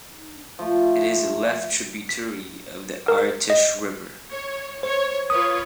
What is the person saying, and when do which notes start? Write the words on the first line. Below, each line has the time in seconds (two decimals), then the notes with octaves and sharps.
It is a left tributary of the Irtysh River.
0.59 F3 A3
2.09 B6
3.08 A#4
3.50 D#5
4.30 C#5
4.83 C5 C#5
5.30 F4 B4 C#5 D#6